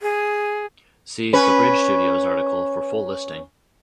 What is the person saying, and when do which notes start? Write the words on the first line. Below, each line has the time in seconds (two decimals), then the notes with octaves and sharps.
See The Bridge Studios article for full listing.
0.02 G#4
1.33 C#4 B4